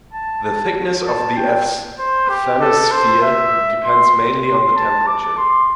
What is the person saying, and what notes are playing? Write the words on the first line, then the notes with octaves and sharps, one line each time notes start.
The thickness of the asthenosphere depends mainly on the temperature.
A5
A5
A5
G5
C5
G4
A4
C5
E5
C6
C6
A5
D6
C6